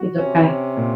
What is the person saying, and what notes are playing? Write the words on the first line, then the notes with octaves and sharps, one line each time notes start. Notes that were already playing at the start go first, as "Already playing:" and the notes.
He's okay.
Already playing: F#4
C3 C#4
C#4
A#2